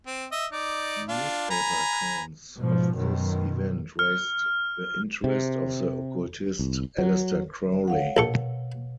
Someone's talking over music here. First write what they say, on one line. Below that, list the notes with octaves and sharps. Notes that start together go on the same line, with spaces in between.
Newspaper accounts of this event raised the interest of the occultist Aleister Crowley.
C4
D#5 E5
D#4 D5
D4 F4
G#5 A#5 B5
G#2 B2 F3
F#2 B2 D#3
F6
C3
C2
F#3
C#5 F5 F#5
A#1 B2 A4 C#6